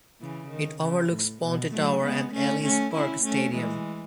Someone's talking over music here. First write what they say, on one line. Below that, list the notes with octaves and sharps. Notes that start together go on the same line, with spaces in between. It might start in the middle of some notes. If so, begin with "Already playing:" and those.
It overlooks Ponte Tower and Ellis Park Stadium.
C#3 E3
D#3
C#3
A2
B2
F#3 A3
G#3 B3
A3 C#4
A3 C#4
C#4 E4
A3 C#4
E3 G#3